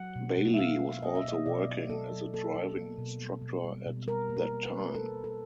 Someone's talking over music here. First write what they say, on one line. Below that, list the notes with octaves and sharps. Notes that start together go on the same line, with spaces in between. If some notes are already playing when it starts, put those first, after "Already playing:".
Bailey was also working as a driving instructor at that time.
Already playing: F#3 F#5
B2
B2
E5
A#3 F5
A#3
A#3 D#5
E5
B2 D#5
B2 D5
F#3
F#3 A4
F#3
A#3 A4
F#3
A#3
B2
G3
B2
G3
B2
G3 A#4
A#3
A#4
A#3
B4
A#3
G3 A4
A#3
A4